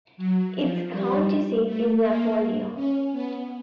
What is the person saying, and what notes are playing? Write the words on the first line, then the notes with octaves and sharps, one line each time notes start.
Its county seat is Napoleon.
F#3
F3
G3
A3
A#3
C#4
B3